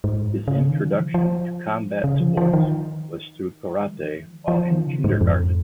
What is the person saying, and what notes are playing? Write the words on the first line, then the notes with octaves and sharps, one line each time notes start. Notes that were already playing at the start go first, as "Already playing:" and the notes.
His introduction to combat sports was through karate while in kindergarten.
G#2
C#3
D#3
F3
F3
C#3
F3
F3
D#3
G#3
F3
D#3
F3
F3
D#3
C#3
G#2
F2